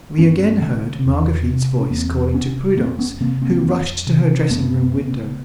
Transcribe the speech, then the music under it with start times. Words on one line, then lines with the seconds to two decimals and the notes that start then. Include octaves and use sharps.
We again heard Marguerite's voice calling to Prudence, who rushed to her dressing-room window.
0.18 G2 B3 C#4
0.62 D3
1.05 E2
1.48 C3
1.81 C#4
1.91 E2 A#3 C4
2.34 C3 B3 C#4
2.77 F2 A#3 C4
2.99 B3 C#4
3.20 C3 A#3 C4
3.42 A#3 C4
3.63 F2
4.07 C3
4.50 F#2 A3 B3
4.94 C#3